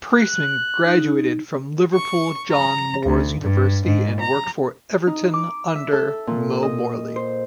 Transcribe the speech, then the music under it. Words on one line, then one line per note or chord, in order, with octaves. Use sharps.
Priestman graduated from Liverpool John Moores University and worked for Everton under Mo Morley.
F#6
D#4
C#6
A#5
D2
G2
G#2
A#5
D#4
D6
E5
A4
A#2
D#5
C5